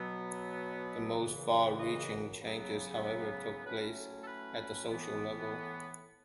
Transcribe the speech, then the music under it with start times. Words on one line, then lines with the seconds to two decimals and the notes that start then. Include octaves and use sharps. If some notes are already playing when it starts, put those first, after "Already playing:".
The most far-reaching changes, however, took place at the social level.
Already playing: B2 F#3 B3
1.15 F#2 C#3 E3
1.78 D#5
2.40 C#3 F#3 B3
3.64 A2 F#3 A3 C#4 B4
4.20 A4
4.27 B4
4.89 A2 E3 B3